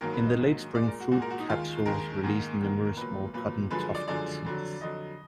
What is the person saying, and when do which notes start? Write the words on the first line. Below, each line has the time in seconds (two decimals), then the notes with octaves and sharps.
In late spring fruit capsules release numerous small cotton-tufted seeds.
0.01 G#2 D#3 F#3 A#3 A#4
0.13 B4
0.26 D#5
0.39 G#2 D#3 F#3 A#3
0.75 A#2 G#3 D5
0.88 A#4
1.00 F#4
1.12 A#2 G#3 F#4
1.22 A#4
1.31 F#4
1.39 D#4
1.49 D#2 D#3 G#3 F4
1.85 D#2 D#3 G#3 A#4
2.24 G#2 D#3 A#3
2.60 G#2 D#3 A#3
2.85 A#4
2.96 A#2 F#3 A#3 B4
3.33 A#2 F#3 A#3 B4
3.70 F#2 D3 F3 G#3 B4
3.95 D5
4.07 F#2 D3 F3 G#3 D5
4.45 F2 D3 F#3
4.81 F2 D3 F#3 D#5